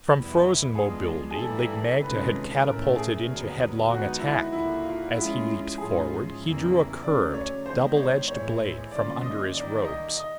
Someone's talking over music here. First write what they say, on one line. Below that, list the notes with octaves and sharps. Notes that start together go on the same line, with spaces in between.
From frozen mobility Lig-magte had catapulted into headlong attack. As he leaped forward he drew a curved, double-edged blade from under his robes.
E2 B2 G3 B3 E4
F3 G#3 B3 D4 F4 G#4
G#4
G2 E3 G3 A#3 A4
A4
C3 D#3 G#3 C#4 F4 B4
A2 E3 A3 C#4 A#4
G#4
D#2 D3 F#3 B3 D4
D3 F3 G#3 B3 D#4 F#4
E4
D#2 D3 F3 A#3 E4
F4
F3 G#3 C#4 E4 F4
G#2 F3 G#3 C#4 F4 G#4
E2 C#3 E3 G3 A#3
F#2 C#3 F#3 A3 C#4 D5
C#5
D#3 G#3 B3 D4 G4 C5
C#5
A2 E3 G#3 C#5
D3 G3 A#3 C#4 F4 D5
D#5
D#3 G3 A#3 D5
D#5
D#5